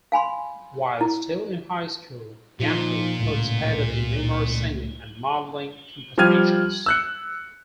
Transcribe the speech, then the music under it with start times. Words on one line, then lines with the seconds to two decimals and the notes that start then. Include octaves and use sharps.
While still in high school, Yanti participated in numerous singing and modelling competitions.
0.12 F5 G#5 B5 C6
1.01 E4
2.60 A#2 F3 D#4
3.18 C#2 A2
6.18 F3 G3 G5 F6 G#6 D#7
6.86 E6 F#6 C#7